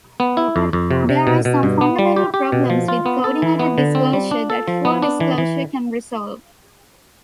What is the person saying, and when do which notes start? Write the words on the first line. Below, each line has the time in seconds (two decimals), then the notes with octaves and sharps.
There are some fundamental problems with coordinated disclosure that full disclosure can resolve.
0.20 B3
0.37 E4
0.56 F2
0.73 F2
0.91 C3
1.09 C3
1.27 B2
1.45 B2
1.63 G2
1.81 B3
1.99 G3
2.16 G4
2.34 G4
2.52 B2
2.70 F3
2.88 F4
3.06 B3
3.24 A4
3.42 E3
3.59 B3
3.78 D3
3.95 C4
4.13 G3
4.31 D4
4.50 A4
4.68 F3
4.85 B3
5.02 D4
5.20 E3
5.38 E3